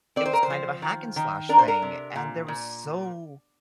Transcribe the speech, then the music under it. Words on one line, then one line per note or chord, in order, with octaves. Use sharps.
it was kind of a hack and slash thing, and there was so
C4 D5
C5
A#4
C5
F3
D#3
D#3
D4 A#4
C5
A#4
C3
A#2
A#2